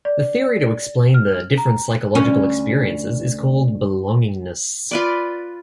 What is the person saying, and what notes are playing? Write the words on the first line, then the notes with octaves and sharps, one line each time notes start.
The theory to explain the different psychological experiences is called belongingness.
D5
F6
A#5
D2 C#4
F4 B4 D5